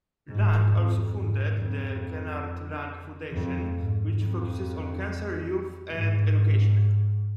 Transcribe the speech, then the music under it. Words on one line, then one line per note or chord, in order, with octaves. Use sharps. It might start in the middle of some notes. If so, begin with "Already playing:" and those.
Lang also founded the Kenard Lang Foundation, which focuses on cancer, youth, and education.
G#2
F2
G#2
F2
F2
G#2
F2
G#2